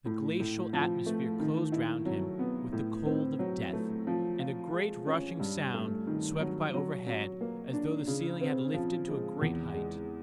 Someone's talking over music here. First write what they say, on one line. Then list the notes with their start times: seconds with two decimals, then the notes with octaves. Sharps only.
The glacial atmosphere closed round him with the cold of death, and a great rushing sound swept by overhead as though the ceiling had lifted to a great height.
0.06 A2
0.40 A2
0.73 F3
1.06 A3
1.40 D#3
1.72 E4
2.06 F#3
2.39 B3
2.72 A2
3.06 C4
3.39 F#3
3.73 A3
4.07 F3
4.40 F4
4.73 G#3
5.07 C#4
5.40 G2
5.74 A3
6.07 D#3
6.40 F#3
6.74 F#3
7.07 F#3
7.41 A#3
7.73 D4
8.07 C#3
8.41 C4
8.74 F3
9.08 G#3
9.41 E2
9.74 G#3